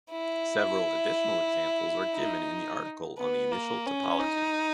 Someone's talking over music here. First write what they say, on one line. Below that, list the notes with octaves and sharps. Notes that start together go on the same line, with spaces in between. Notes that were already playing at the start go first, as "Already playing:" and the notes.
Several additional examples are given in the article on the initial topology.
E4
D#4
B3
A#3
C#4
D#4